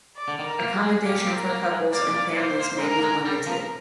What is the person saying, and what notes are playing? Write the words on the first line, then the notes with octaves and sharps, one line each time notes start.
Accommodation for couples and families may be limited.
D5
D3
D#3
A#4
A#3
G#4
G#3
A#3 G4
A#3
C4
A#4
A#3
G#3
A#3 D5
G#3
A#3
A#3 C5
A#3
G#3 A#4
A#3
G#3
G3 A#4
F3